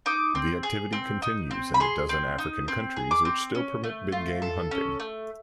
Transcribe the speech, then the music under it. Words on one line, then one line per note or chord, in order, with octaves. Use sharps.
The activity continues in the dozen African countries which still permit big-game hunting.
D#4 D6
C4
G#4
C4
D#4
C4
B5
G#4 C6
C4
D#4
C4
G#4
D6
C4
C#4
A3
F4
A4
C#4
A3